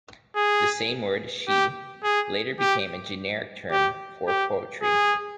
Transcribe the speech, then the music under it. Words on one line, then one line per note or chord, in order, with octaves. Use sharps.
The same word "shi" later became a generic term for poetry.
G#4
G4
G#4
G4
G4
G4
G#4